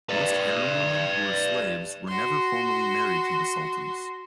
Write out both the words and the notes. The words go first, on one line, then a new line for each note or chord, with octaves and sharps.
Most harem women who were slaves were never formally married to the sultans.
B4 D5
F#4 C6